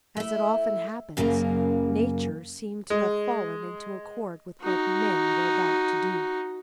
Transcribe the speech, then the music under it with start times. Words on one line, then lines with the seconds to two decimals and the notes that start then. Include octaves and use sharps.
As it often happens, nature seemed to have fallen into accord with what men were about to do.
0.17 A3 E4
1.17 F#2 C#3 F#3 A3 A#3
2.90 G#3
4.61 D#4 F#4